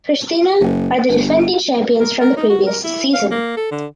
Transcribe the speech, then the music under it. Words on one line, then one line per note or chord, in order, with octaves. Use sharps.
Prishtina are the defending champions from the previous season.
F#1
G1
A#4
A#4
D#4
F#4
A#4
E4
F5
A#3
A4
D3